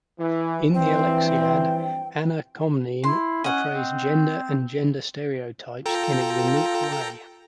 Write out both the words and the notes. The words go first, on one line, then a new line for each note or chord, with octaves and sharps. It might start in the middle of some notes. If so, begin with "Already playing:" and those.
In the "Alexiad", Anna Komnene portrays gender and gender stereotypes in a unique way.
E3
G2 E3 F3 C4 G5
E4 C6
C#4 D#5 F#5
C4
F4 A4 G5 A#5